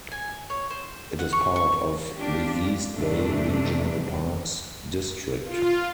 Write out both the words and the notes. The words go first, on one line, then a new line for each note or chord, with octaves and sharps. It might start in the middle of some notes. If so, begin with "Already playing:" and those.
It is part of the East Bay Regional Parks District.
G#5
C#5
C5
F#5
C#6
C#6
D4 F4 G4
G2 C3 E3 A3 D4
F4